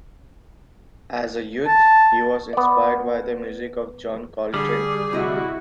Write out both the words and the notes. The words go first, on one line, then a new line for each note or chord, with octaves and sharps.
As a youth he was inspired by the music of John Coltrane.
A5
B3 D5
D3 G3 G#4
D2 C3 E4 F#4 D#5